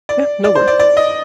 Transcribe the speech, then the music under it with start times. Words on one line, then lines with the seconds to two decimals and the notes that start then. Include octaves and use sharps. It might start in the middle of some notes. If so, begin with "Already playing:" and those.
Yeah, no worries.
0.09 D5
0.44 D5
0.55 C5
0.68 D5
0.79 D5
0.97 D#5